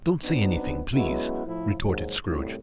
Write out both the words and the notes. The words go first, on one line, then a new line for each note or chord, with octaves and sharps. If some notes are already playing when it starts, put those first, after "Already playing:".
"Don't say anything, please," retorted Scrooge.
F#3 B3 C4 D4 D#4
F#3 G#3 B3 C#4 E4 F#4
A2 F3 E4
D#2 G#2 F#3
C2 A2